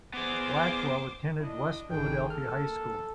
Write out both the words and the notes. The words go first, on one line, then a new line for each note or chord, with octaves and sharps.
Blackwell attended West Philadelphia High School.
B3 G#4 C5 D6
D4 E4 D#5
G#1 D#3 E3 G#4 A4 G5
A#3 A4 F6